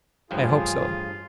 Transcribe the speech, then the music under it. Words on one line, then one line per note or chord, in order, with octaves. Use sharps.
"I hope so."
A1 G2 F3 F4 G#4